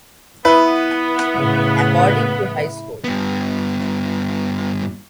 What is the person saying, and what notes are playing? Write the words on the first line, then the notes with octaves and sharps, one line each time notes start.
According to High Score!
B3 E4 B4
A2 C#3
G2 B3